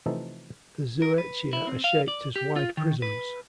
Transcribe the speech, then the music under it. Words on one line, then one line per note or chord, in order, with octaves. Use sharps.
The zooecia are shaped as wide prisms.
C3 E3 F3 A3 D#4 A4
A#4
B4
E4
C4
F5
D5
G4
F4
D#3
B4